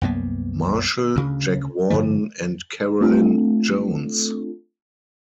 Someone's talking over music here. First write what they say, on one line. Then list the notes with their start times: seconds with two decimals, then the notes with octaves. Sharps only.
Marshall, Jack Warden and Carolyn Jones.
0.01 C2 F#2 A#3 B3
1.15 D2 C#3
1.90 G2 D3 F3 A3
3.01 A3 C4 D4 F4 A4